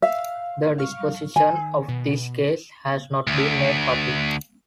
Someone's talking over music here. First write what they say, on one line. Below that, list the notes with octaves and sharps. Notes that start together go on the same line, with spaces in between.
The disposition of this case has not been made public.
E5 F5
F5 C#6 F6
D#3 G#5
B2
D2